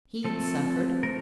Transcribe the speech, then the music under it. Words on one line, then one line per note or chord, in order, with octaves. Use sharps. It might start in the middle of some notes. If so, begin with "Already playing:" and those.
He had suffered.
F3 A3 C4 A4
F3 A3 A#4